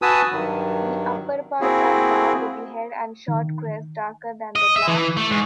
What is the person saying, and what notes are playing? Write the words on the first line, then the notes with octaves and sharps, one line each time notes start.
The upperparts are brown, with the head and short crest darker than the back.
F#4 B4 G#5 A5 D#6 E6
G2 D#3 F#3
A#3 C4 E4 F#4 G#4
D#3
D#5
E5
E3
A3
G#2